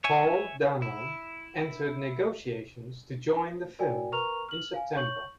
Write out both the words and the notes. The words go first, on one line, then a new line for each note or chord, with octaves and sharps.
Paul Dano entered negotiations to join the film in September.
C#5 E5 G#5
E4
F#4 A#4 D5 G5 G#5
A#4 B4 A#5 C#6 F6 F7
F6 F#7
F5 G#5
C#5 C#6 G6 F#7